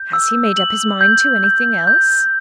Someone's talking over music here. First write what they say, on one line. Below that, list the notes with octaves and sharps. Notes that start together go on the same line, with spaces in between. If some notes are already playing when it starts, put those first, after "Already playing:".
"Has he made up his mind to anything else?"
Already playing: G6
E6
F#7
G6
G6
G6